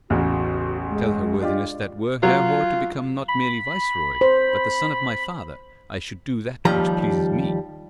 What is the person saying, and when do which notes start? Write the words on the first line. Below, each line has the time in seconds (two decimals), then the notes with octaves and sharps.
Tell her worthiness that were Herhor to become not merely viceroy, but the son of my father, I should do that which pleases me.
0.10 A1 E2 C#3 F#4
0.90 G#3
1.41 D4 F4 G4 D#5
2.23 F#3 F4
3.28 B5
4.21 C5
6.65 D#2 F3 G3 A#5